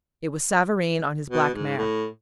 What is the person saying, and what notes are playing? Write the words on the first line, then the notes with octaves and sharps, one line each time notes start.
It was Savareen on his black mare.
B2
G#2
A2